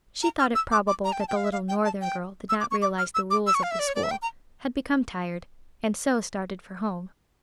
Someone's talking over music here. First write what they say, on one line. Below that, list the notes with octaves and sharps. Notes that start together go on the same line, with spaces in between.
She thought it probable that the little northern girl did not realize the rules of the school, had become tired, and so started for home.
A#5
F6
E6
D6
D6
A#5
G5
A5
G5
F5
E5
F5
G5
A5
G5
E6
D6
C#6
D6
F6
E6
D6
E6
C#6
F5
E5
D5
C#5
D5
E5
G5
A#5